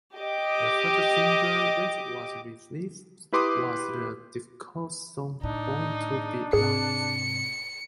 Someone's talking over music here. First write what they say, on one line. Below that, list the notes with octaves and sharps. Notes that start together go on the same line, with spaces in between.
The first single that was released was the disco song "Born to Be Alive".
G4 D#5 D6
E4 G4 B4 C6 D6 D#6
A2 D4 D#4
G#2 C3 G#4 C#7